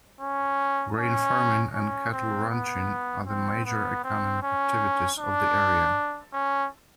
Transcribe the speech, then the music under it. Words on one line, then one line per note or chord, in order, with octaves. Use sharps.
Grain farming and cattle ranching are the major economic activities of the area.
C#4
C#4
C#4
C4
B3
C4
B3
C4
C#4
D4
C#4